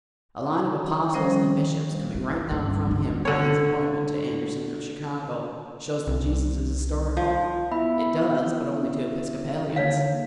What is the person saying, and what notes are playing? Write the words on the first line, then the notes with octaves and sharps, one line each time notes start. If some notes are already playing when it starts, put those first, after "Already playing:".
"A line of apostles and bishops coming right down from him by his appointment to Anderson of Chicago," shows that Jesus is historical. It does, but only to Episcopalians.
D#3 F3 G3 C#4 C5
D#4
G2
E3 D4
D3 C#5
C2
F3
B3 E4 E5 B5
D3 A#3 D#4 C#5 F5